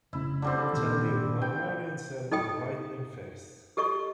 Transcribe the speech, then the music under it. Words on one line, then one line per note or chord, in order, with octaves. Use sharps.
I'll tell you, the librarian said with a brightening face.
F1 C#3 E4
D3 G3 C4
A#2 D#3
G5
D#4 A4 D#5 G5 D#6
G4 A4 D#5 C#6